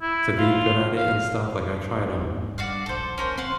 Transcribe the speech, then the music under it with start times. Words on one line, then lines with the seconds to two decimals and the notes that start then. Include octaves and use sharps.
to be good at it and stuff, like, I tried, um,
0.02 E4
0.38 F4
0.97 F5
2.19 G1 G#2
2.58 G1 G2 F#4 D5 F5
2.86 D1 A#1 A4 C5
3.18 C#4 A#4 C5
3.38 C4 F5 F#5 C6